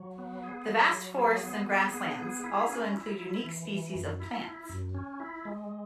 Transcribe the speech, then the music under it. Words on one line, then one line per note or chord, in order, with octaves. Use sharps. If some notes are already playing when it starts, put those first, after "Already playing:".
The vast forests and grasslands also include unique species of plants.
Already playing: F#3
B3
G#4
F#3
F#3
G#4
B3
G#4
B3
G#4
E4
C#4
E4
E4
E3
E3
F#2
E4
E4
F#2
C#4
E4
G#3